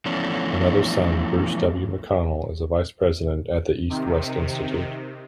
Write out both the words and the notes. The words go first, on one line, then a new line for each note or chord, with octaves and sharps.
Another son, Bruce W. McConnell, is a vice president at the EastWest Institute.
E3 F3 A3 B3 C#4 D4
C3 D#3